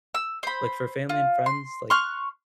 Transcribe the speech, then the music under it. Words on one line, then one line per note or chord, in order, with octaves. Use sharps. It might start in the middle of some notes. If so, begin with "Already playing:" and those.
like for family and friends, like,
E6
C5 B5
F4
C6
C6 C#6 F6 F#6